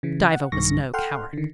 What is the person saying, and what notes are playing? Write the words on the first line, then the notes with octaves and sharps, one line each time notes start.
Diva was no coward.
C#3 E3
F#5
B1 G2 D#3 C#6 A#6
A4 F#5 G5 C6 F6
D3 D#3